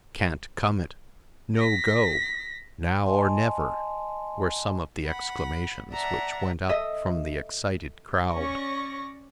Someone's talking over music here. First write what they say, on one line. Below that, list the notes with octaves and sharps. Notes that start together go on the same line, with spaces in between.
"Can't come it!" "No go!" "Now, or never!" were some of the exclamations which went up from the excited crowd.
A#6 B6
D#5 G#5 A5 C6
F#5 B5
D5 E5 F#5 A5 A#5
A4 D#5 E5
C#4 D5 C#6 A#6